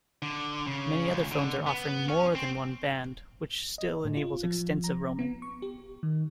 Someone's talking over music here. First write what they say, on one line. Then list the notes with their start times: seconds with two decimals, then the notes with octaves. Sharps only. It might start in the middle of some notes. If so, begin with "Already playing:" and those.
Many other phones are offering more than one band which still enables extensive roaming.
0.22 D3
0.67 C#3
1.08 C#2
1.32 D3
1.67 B3
2.09 C#4
2.35 C4
3.78 D#5
4.05 A2
4.17 F4
4.44 F3
4.84 A#5
5.19 B3
5.42 C#6
5.62 G4
6.03 D#3